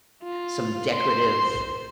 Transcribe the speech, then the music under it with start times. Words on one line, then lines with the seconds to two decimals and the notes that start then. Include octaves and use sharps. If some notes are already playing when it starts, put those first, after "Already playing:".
some decorative
0.24 F4
0.93 C5 C6